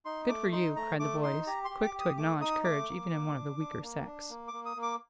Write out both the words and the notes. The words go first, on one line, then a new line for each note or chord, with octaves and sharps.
"Good for you," cried the boys, quick to acknowledge courage even in one of the weaker sex.
D#4 C6
A3 D6
D#4 C6
A3 A#5
A3 D6
D#4 C6
G4 A#5
C6
G4
D6
G4
D#6
A3 D6
D#4 D#6
A3 D6
A#3
A#3
D4
D4
A#3
D4
A#3
D6
A#3
D#6
A#3
D6